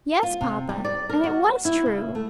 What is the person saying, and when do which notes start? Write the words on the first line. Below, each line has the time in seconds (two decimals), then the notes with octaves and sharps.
"Yes, papa, and it was true."
0.23 F4
0.41 C3
0.69 G3
0.85 D5
1.09 A#4
1.24 F#4
1.65 E4
1.86 C#3
2.15 A3